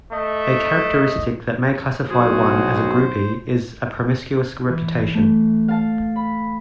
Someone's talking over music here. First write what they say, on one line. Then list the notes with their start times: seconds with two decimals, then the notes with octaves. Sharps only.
A characteristic that may classify one as a groupie is a promiscuous reputation.
0.12 A3 D#5
2.11 B1 F#4 G#4 C5
4.69 E3
5.14 A3
5.68 F5 A5
6.16 B5